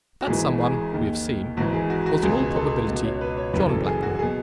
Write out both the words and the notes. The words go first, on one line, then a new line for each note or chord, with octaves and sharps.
That some one, we have seen, was, in all probability, John Blackmore.
F#4
G#1 G#2 E3 G#4
G#4
D#2 D#3
G#1 G#2 E3 F#4
G#4
F#4
F#4
C#2 B2 G#4
A4
C#2 B2
C#5
B4
C#5
F#1 F#2 C#3 E3 B4
A4
G#4
F#4
G#4
B2